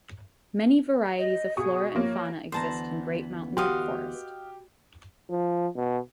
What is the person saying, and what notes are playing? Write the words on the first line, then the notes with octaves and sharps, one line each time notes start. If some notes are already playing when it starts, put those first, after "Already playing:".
Many varieties of flora and fauna exist in Great Mountain Forest.
D#5
B2 G#4 C#6 D#6
F3 A#3 C#5
D2 E3 B3 C5 A5 A#5
F#4 G4 D#5 F5 F#5
F3
B2